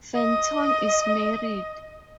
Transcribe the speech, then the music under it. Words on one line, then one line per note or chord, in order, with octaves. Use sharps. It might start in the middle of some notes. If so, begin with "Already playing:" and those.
Fenton is married.
D#5